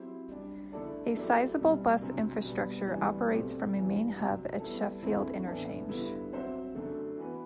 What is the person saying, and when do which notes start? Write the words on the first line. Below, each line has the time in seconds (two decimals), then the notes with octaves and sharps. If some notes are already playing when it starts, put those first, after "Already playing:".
A sizeable bus infrastructure operates from a main hub at Sheffield Interchange.
Already playing: F#3 C4 E4 G4 C5
0.29 G3 D4 G4
0.72 D3 A3 E4 A4 D5
1.15 F#3 A3 E4 G4 D5
1.58 C2 B2 G3
2.01 D2 C3 F#3
2.45 B2 G3 B3
2.87 D2 C3 E3 G3
3.31 B2 A3 C4 G4 D5
3.74 G2 E3 G3
4.16 C3 F#3 C4
4.59 G3 B3 E4 A4
5.02 E2 D3 A3 C4 E4
5.46 A2 E3 B3 D4 A4
5.89 G2 D3 G3 B3 E4
6.32 F#3 C4 F#4 C5 E5
6.75 F#2 D3 F#3 A3
7.18 E3 B3 F#4 B4